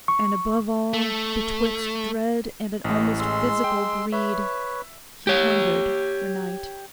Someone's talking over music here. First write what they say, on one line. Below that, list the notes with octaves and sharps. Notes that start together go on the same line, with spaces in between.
And above all, betwixt dread and an almost physical greed, he hungered for night.
C#6
A3
A1 A2 D#5
G#3 C6 E6
G5
B4 C#5 E5
G4 C#5